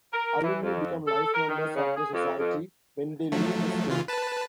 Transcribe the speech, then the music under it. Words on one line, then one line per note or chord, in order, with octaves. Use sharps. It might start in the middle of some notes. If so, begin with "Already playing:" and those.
Alumni become life members of the Society when they leave the school.
A#4
E3
F2
A4
A#4
D#3
C#3
G#4
F2
F2
F3 F#3 A3
C#3 E3 F4
B4 A5